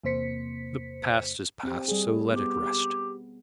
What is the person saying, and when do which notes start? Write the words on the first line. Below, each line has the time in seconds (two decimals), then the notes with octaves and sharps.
The past is past, so let it rest.
0.04 E2 C3 A#3 C5 B6 C#7
1.63 C4 G4
1.88 G3 G#4
2.32 B3 G4